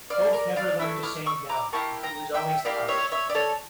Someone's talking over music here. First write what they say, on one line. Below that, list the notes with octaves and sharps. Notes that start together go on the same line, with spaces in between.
Oaf never learned to say "No" and he was always punched.
D5 F5
A#4 D5
D5 F5
A3 C#4 E4 C#6 E6
D6 F6
C#6 E6
A#5 D6
A#3 E4 G4 A5 C#6
G5 A#5
E5 G5
A#3 E4 G4 D5 F5
C#5 E5
C#5 E5
D5
A4 C#5